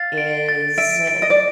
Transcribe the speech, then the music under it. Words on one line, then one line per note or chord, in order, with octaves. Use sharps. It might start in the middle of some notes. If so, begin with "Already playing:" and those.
is uh,
Already playing: F5 A6
D7
A6
E5 D7
D7
D#5
D5